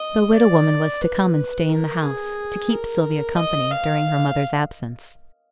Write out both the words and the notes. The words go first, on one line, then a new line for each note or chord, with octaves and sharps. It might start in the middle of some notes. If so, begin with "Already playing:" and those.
The widow-woman was to come and stay in the house, to keep Sylvia company, during her mother's absence.
Already playing: D#5
D5
B4
A#4
G#4
A#4
D#5
F5